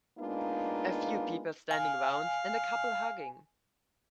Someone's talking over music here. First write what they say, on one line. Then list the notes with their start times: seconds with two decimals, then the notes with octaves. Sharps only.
A few people standing around and a couple hugging.
0.18 G#3 A#3 B3 D4 D#4 F4
1.71 F5 G#5